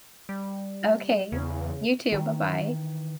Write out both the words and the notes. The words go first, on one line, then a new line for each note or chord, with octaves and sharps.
Okay. You too, bye-bye.
G3
E2 C#3
D#3 E3